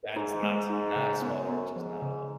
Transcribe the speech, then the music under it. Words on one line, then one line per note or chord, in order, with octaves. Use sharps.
that is not, not a small purchase, not at all,
G#2 D#4
G#3
G#2 D#4
C#3
F#2 B3
B3
G#2 F3
C#3